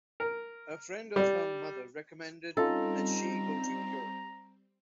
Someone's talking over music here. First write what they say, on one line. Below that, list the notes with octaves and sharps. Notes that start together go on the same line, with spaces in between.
A friend of her mother recommended that she go to Europe.
A#4
G3
G3 C4 C#4 D#4 F4 A4 A#5